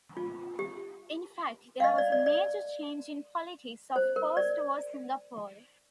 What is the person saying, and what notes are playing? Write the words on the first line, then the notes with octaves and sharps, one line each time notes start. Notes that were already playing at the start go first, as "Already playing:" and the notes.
In fact, there was a major change in politics of post-war Singapore.
F4
G4
F5
D#5
D5
D5
D5
C5
A#4
D5